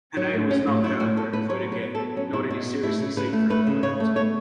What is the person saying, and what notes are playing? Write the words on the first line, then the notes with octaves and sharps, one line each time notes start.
Hannay was not, however, employed again, nor did he seriously seek for employment.
F#3
A2
B3 C#4
A2
F#3 E4
A2 F#4
B3 A4
A2 B4
F#3 C#5
B2
B4
B3
A4
B2
F#3 C#4
B2 E4
B3 E4
B2
A3 E4
C#3
C#3 B4
A3
A3 B4
C#3
C#3 C#5
A3
B3 C#5